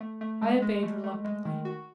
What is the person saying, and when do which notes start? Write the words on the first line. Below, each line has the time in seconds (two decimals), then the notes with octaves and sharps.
I obeyed reluctantly.
0.01 A3
0.21 A3
0.42 G#3
0.62 G#3
0.83 A3
1.04 A3
1.25 G#3
1.45 D#3
1.65 F#4